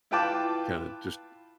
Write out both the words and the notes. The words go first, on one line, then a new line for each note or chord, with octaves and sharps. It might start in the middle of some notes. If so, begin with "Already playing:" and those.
kinda just
E4 F4 B4 G5 A5 D6